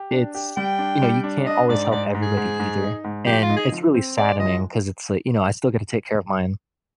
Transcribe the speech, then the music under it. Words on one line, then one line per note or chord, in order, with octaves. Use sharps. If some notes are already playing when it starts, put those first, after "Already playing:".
it's, you know, you can't always help everybody, either. And it's really saddening 'cause it's like, you know, I still gotta take care of mine.
Already playing: G4
D4
G4
G3 G5
D4
G3
D4
D4 D#5
G#2 D5
G#2 D5
G#2
G#4
G#2
G#2
D#4
G#2
F3 G4
F4
D#4
G#4
F3
C4
G#3 D5
F3 D#5